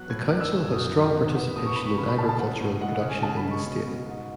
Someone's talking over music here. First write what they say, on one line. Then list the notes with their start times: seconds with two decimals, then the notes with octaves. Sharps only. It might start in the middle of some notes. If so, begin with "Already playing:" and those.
The council has strong participation in agricultural production in the state.
Already playing: E2 F#3 F#6
0.10 A2 G#6
0.30 F#2 F#6
0.41 E6
0.52 F#2
0.72 F#2 D#6
0.93 F#3
1.14 E2
1.35 B3
1.56 A2 D#6
1.66 C#6
1.76 A2 B5
1.86 C#6
1.98 C#3 B5
2.08 B5
2.18 C#3 A5
2.29 A5
2.39 A2 F#5
2.60 A2
2.81 G#3 F#5
2.95 F#5
3.02 C#3
3.09 G#5
3.23 C#3 A5
3.37 B5
3.44 G#3
3.51 C#6
3.65 B2
3.86 B2
4.06 G#2